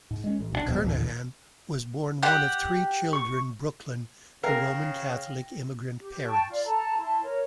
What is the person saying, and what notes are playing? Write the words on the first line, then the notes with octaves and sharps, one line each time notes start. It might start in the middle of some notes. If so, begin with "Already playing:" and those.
Kernaghan was born one of three children Brooklyn to Roman Catholic immigrant parents.
G#2
G#3 C#4
A1
B1 F3 D4
D#1 B1 F2 B2
A1 D#2 D3
G4 F#5
C#6
C#3 A#4 F5 G5 A#6
G4
G5 A5 C#6
F4 D5
A4 A5 A#5
E4 A5 C6
A#4 C#5